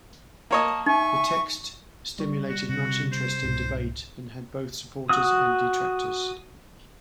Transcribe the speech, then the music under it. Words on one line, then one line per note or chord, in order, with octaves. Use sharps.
The text stimulated much interest and debate, and had both supporters and detractors.
A#3 C#5 D#5 A5
D#4 E5 G#5 C#6
G3 C#6
F#4
C3 F#4
C5
C2 G#2 B2
F#4 D#6